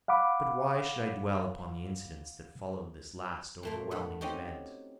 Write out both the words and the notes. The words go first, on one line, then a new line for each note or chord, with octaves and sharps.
But why should I dwell upon the incidents that followed this last overwhelming event?
F5 F#5 B5 D6
A#2 A3 A#3
G2 F#5 B5
C4 C#4 D#4 F#4 G4